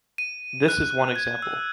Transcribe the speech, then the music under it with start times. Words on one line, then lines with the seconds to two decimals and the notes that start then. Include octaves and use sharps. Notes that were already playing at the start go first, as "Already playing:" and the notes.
This is one example.
0.18 D#7
0.68 F#6
1.16 G#6
1.42 E6